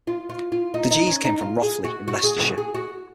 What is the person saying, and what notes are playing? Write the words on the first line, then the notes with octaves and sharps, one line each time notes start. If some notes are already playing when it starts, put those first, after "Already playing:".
The Gees came from Rothley in Leicestershire.
F4
F4
F4
D#4
D#4
C#4
D#4
F4
G#4
F#4
F#4
G#4
F#4
G#4
F#4